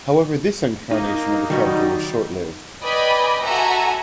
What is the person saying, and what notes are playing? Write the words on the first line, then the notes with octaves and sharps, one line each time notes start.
However, this incarnation of the character was short-lived.
A#3 D#4
D#3 F#3 G3 F#4
B4 D5 D#5 G5 G#5 B5
F#4 A4 E5 G#5 A#5